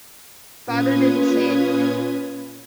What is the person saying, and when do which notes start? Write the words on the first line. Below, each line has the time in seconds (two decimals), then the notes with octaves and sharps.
Father didn't say anything.
0.66 A#2 C#4 F4 B4 D#6 G#6